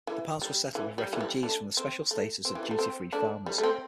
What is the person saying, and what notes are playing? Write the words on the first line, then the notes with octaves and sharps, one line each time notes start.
The parts were settled with refugees with the special status of duty-free farmers.
E3
G3
E3
G3
E3
G3
A3 D4
C4
A3
C4
E3
G3
A3
C4
A3 D4
G3
A3
C4